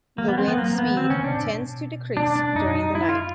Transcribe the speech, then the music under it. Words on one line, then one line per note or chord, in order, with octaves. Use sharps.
The wind speed tends to decrease during the night.
E3 A#3
B3
F3 C4
B3
F#3 A#3
F3
B3
E3
D#3 C4
C#3 C#4
C3 D4
A#2
B2
D4
D4
F#2 D#4
D#4
E4
F4